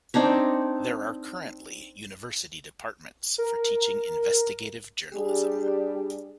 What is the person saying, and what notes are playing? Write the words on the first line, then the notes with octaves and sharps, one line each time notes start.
There are currently university departments for teaching investigative journalism.
C4 D4 D#4 C#5
A#4
G3 D4 G4 G#4